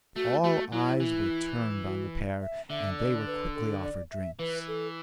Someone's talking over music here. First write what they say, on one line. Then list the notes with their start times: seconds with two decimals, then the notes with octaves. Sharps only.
All eyes were turned on the pair and they were quickly offered drinks.
0.16 A3 F#4
0.44 A3 F#4
0.72 F#3 E4
1.00 E3
1.85 F#4
2.42 E5
2.70 D3 E5
2.98 D5
3.27 B4
3.55 A4
3.83 D5
4.11 E5
4.39 E3 B4
4.68 A4